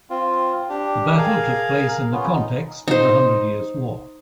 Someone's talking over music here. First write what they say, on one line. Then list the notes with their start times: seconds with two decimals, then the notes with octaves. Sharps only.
The battle took place in the context of the Hundred Years War.
0.10 C4 F4
0.69 D4 G4
1.17 G#4 A#4 F5
2.12 B3 C#4 F4
2.32 D#4
2.88 D#4 C5